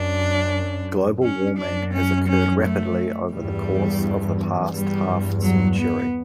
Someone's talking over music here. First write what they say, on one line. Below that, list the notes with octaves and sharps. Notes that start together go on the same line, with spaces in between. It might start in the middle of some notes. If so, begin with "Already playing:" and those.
Global warming has occurred rapidly over the course of the past half-century.
Already playing: F#2 D4
C#4
F#2 D4
C#4
C#4
A3
E2 G2 G3
E2 G2 G3
F#3
B3